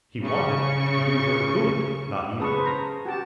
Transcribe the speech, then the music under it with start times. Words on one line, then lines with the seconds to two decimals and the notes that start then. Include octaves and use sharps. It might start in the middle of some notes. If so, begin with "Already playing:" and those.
He wanted to do her good, not evil.
0.23 C#3 C#6
2.40 C#3 B4 A5 C#6 D#6
2.54 B4 C5
2.66 A#5
3.05 F#4 G4 A5